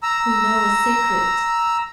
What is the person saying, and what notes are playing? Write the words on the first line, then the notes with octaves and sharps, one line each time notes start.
"We know a secret!"
A#5 E6